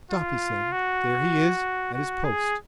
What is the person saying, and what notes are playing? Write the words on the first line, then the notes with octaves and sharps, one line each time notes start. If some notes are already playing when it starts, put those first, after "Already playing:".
"Stop!" he said, "there he is at his post."
F4
F#4
F#4
G#4